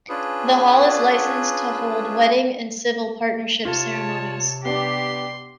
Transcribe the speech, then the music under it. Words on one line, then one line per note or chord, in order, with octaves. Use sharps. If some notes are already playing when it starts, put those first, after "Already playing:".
The Hall is licensed to hold wedding and civil partnership ceremonies.
C#4 D4 F4 G#4 B4
C3 F4 C#5 A5
B3 D4 G4 C6